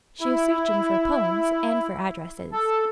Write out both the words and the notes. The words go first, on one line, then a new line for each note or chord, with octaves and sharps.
She was searching for poems and for addresses.
E4
A4